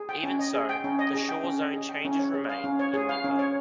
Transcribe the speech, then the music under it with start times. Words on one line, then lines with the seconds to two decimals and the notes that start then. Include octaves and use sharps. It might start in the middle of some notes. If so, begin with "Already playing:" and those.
Even so, the shore zone changes remain in limbo.
Already playing: G#4
0.09 G5
0.23 C#4
0.39 D#5
0.54 G#4
0.69 G5
0.84 C#4
0.99 D#5
1.14 G#4
1.29 G5
1.44 C#4
1.60 D#5
1.74 G#4
1.89 G5
2.05 C#4
2.19 C#5
2.34 G#4
2.49 F5
2.64 C#4
2.79 C#5
2.94 G#4
3.09 F5
3.24 C#4
3.39 C#5